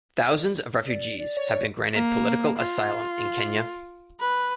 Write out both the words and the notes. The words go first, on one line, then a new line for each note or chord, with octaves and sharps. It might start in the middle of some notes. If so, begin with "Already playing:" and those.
Thousands of refugees have been granted political asylum in Kenya.
D5
D5
C#5
A#3
F4
B4